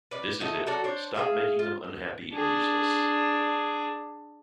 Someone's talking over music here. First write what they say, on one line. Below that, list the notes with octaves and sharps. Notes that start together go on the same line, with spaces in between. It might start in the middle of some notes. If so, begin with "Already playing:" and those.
This is it: stop making them unhappy and useless.
B4 D5
F#3 D#4 E4 A4
F#3 F#4 A4 D5
D4 C5 C#5
G#4 A4 E5 F5
F4
D4 G#4